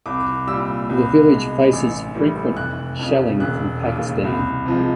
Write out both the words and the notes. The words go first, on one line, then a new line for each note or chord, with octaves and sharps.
The village faces frequent shelling from Pakistan.
C2 D6
G3 E6
A#2
C2
B2 G#3
A1
A2 E3 G3
F1 F#6
F2 C#3
E1 F#6
D#2 C#3
C2
C3 F3 G#3